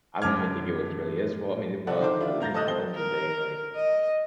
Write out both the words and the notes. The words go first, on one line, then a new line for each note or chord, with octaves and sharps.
I don't really think it was really his fault. I mean, it was. But, you know, at the end of the day, like,
F#2 A5 D6 F6 G#6
C2 A4 D5 F#5
D#3 C5 D6
D4 E4 F4
A#3 A#5 G6 A6 A#6
A4 D#5 A5 D#6 F#6 G6
C4 G7
A#4
D#5